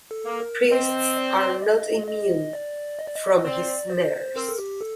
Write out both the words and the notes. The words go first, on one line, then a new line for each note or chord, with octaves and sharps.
Priests are not immune from his snares.
A4
A#3
A#4
C4 D#5
D5
D#5
D#5
D5
D#5
D5
D#5
D#5
C4 D5
C5
C4 A#4
A4
G4
A4